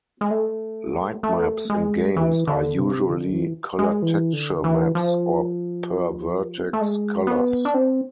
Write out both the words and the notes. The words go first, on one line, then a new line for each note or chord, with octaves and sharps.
Lightmaps in games are usually colored texture maps, or per vertex colors.
G#3
A3
A3
G#3
E3
D3
C3
D3
E3
G#3
E3
D3
E3
F3
C4
B3
A3
G#3
B3
D4
C4